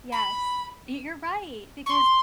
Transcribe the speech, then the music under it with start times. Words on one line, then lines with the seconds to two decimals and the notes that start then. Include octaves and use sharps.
Yes, y you're right, because
0.12 B5
1.86 C#6
1.90 C6